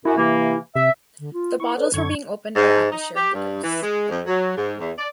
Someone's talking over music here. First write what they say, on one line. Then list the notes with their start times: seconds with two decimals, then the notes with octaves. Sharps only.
The bottles were being opened by Apple shareholders.
0.05 F#2 E4 F#4
0.17 C3 E3 A#3
0.76 C3 E5
1.19 D3
1.33 F4
1.60 E4 C#6
1.77 A4 B4 C#5 D5
1.94 F#2 D3 C#6 G#6
2.55 G#2
2.89 D#4
3.15 G4
3.33 G2
3.63 E3
3.82 G#3
4.08 F2
4.26 F#3
4.56 G#2
4.78 E2
4.98 D5